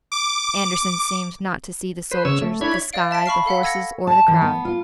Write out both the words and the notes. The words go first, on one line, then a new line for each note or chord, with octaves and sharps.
Andersen seemed not to see the soldiers, the sky, the horses or the crowd.
D6
B4 C5
C#3 C#5 E6
A3
D4 E4 C#5 B5 G#6
D5 F5 D7
E5 A5 B6 D7
B5 C#6 F6 C7
A4 F5 F#5 B6
E6 G#6 A#6 C#7
A5
E3
B3
F4